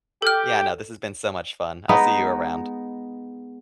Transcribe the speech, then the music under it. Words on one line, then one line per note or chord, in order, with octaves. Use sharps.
Yeah, no, this has been so much fun, I'll see you around.
G4 A4 G5 F6
G#3 B3 D#4